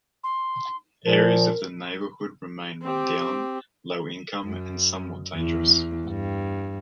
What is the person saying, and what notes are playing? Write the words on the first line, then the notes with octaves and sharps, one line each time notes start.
Areas of the neighborhood remained run-down, low-income, and somewhat dangerous.
C6
A#2 F3 A#4
C4 G4
F#2
E2
G2